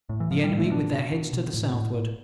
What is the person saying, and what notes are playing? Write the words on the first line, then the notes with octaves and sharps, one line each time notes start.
The Enemy with their heads to the southward.
A2
E3
A2 F3
G3
A2
A3
B2 D4
B2
B2
B2
A2
A2
A2